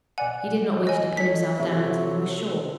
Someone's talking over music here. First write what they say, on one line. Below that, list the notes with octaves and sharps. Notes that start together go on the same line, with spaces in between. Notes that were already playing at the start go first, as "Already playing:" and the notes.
He did not wish to pin himself down until he was sure.
B1 D5 F#5 G#5
D#5 G#5
D#4 A4 C#5 B6
C3 F#3 A4 E5